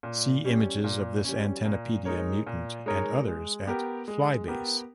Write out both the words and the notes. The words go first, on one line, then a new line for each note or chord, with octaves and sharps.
See images of this "antennapedia" mutant and others, at FlyBase.
A#2
G3 C#4
A#2
G3 C#4
A#2
G#3 D#4 A#4 C#5
A#2
G#3 D#4 A#4 C#5
G#3
B3 G4 A#4
G#3
B3 G4 A#4